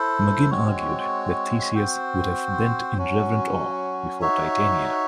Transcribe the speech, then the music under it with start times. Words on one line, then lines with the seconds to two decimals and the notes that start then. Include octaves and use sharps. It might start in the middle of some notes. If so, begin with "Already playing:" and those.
Maginn argued that Theseus would have bent in reverent awe before Titania.
Already playing: E4 A4 C5
0.50 G#3 C4 F#4 C#5
1.74 C4 F#4 C5
2.98 F#3 C#4 F#4
4.21 D#4 F#4 C#5 E5